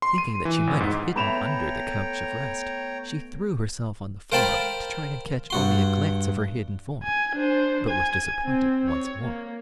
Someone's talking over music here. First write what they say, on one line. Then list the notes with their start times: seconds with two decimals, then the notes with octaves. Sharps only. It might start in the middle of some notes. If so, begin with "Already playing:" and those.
Thinking that she might have hidden under the couch of rest, she threw herself on the floor to try and catch only a glance of her hidden form, but was disappointed once more.
0.02 C6
0.18 D#7
0.45 E3
0.67 G#1
0.80 G#2
1.16 A3 B3 C#5 G5 A#5 B5 E7 F7
4.32 A#4 C5 F5 G5 A5 B5
5.50 G2 F#4 C6
7.03 G#5
7.35 D4 C5
7.89 G#5
8.45 C4
8.88 C#5
9.21 A#3